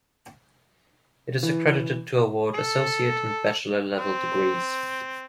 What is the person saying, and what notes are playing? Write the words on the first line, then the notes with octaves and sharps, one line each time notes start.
It is accredited to award Associate and Bachelor-level degrees.
E3
A4
C4